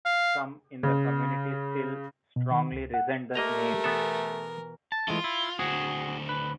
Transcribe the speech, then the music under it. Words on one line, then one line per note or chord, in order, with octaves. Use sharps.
Some in the community still strongly resent the name.
F5
C#3
B2
D#3
C#2
F#5
A3 A#3 G4 A#4 D#5 A#5
B2 E3 B3 A4 G#5
A5
E3 G#3 A3 F4
E4
D2 C4 F#4 G#4
B4